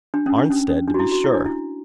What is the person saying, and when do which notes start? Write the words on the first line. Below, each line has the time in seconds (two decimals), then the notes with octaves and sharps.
"Arnstead, to be sure."
0.14 D4
0.26 C#4
0.38 D4
0.51 C#4
0.69 C#4
0.88 D4
0.94 F#4
0.99 E4
1.11 F#4
1.24 E4
1.35 D4
1.46 E4